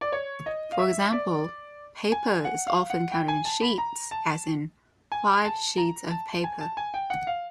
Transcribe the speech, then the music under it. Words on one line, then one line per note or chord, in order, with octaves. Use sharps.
For example, "paper" is often counted in "sheets" as in "five sheets of paper".
D5
C#5
D#5
F5
E5
D5
G#5
F#5
F5
F#5
G5
G#5
A5
B5
A#5
A5
G#5
A5
A#5
A5
G#5
A5
G#5
G5
F#5
F5